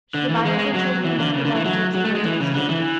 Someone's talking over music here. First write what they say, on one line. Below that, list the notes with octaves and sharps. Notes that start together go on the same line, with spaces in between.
She divided her children among her relatives and went to the States.
D3
E3
G#3
G#3
F#3
E3
D3
C#3
D3
E3
F#3
F#3
A3
G#3
E3
C#3
D3
E3